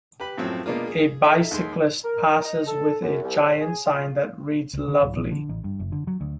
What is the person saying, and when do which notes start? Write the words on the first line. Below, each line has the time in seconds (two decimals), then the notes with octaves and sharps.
A bicyclist passes with a giant sign that reads lovely.
0.20 G4 B4 B5
0.37 F#2 A2 F3 F#3 C4
0.66 B2 G#3 A#3 D4 F4
0.87 G#4
1.23 D#4 A4 E5
1.51 D#2 G#3 C6
2.05 A#4
2.44 D#4
2.67 A4
3.02 F#2
3.22 C2
3.39 C#3
3.61 G#4
3.86 F4
4.73 C#2
4.88 D3
5.03 D1
5.17 A#1
5.31 D3
5.49 A1
5.64 G2
5.80 F#1
5.92 D3
6.07 F#3
6.21 D2